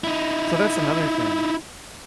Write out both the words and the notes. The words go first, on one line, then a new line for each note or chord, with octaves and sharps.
so that's another thing.
D#4 E4